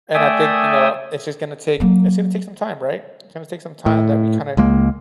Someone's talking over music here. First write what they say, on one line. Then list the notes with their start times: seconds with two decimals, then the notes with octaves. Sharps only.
and I think, you know, it's just gonna take it's gonna take some time, right? It's gonna take some time that we kinda
0.14 A3 D5 E5 G5 G#5 D#6
1.80 F#3 A#3
3.86 A2
4.57 C#2 G#3 A#3